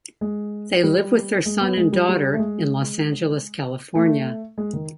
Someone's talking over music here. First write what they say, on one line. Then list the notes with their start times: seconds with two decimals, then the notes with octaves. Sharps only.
They live with their son and daughter in Los Angeles, California.
0.21 G#3
0.83 G3
1.46 G#3
1.61 B3
1.77 G#3
1.93 G3
2.09 G3
2.33 A3
2.39 G#3
3.95 A3
4.58 G#3
4.73 D#3